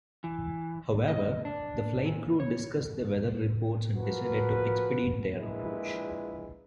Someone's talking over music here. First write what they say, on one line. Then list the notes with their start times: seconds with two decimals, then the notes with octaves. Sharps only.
However, the flight crew discussed the weather reports and decided to expedite their approach.
0.24 E3
1.08 D#5
1.45 D4
2.05 A#2
2.40 C#5
3.96 F3 F#4 A#4 B4
5.34 A#1 A#2 G#3 E4 B4